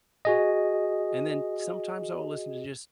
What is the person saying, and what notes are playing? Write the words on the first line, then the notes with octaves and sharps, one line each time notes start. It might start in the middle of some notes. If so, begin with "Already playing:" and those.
And then sometimes I'll listen to just,
F#4 G#4 D#5